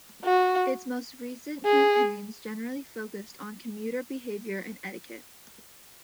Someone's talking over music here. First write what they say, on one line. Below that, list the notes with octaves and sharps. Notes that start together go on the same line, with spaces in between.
Its most recent campaigns generally focused on commuter behaviour and etiquette.
F#4
G#4